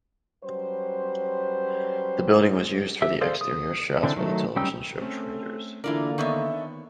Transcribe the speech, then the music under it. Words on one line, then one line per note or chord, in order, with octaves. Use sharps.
The building was used for the exterior shots for the television show "Traders".
F#3 G3 C#4 B4 C5
G4 E5 E6
G#4 A4 C5 D5 F5
D#6
D3 E3 C4 D4
D#3 F#3 A3
G3 C#4 D#4 G5 E6
A3 C4 C#4 A4
D3 E3 A#3 D4 E4 F4 A#4 D5
D#3 B3 D4 A4 C#5 D#5 E5